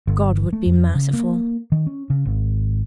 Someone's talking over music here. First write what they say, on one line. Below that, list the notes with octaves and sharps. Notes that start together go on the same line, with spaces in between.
God would be merciful.
G1
A3
F2
C#3
A#3
D#3
C#4
C#3
G#1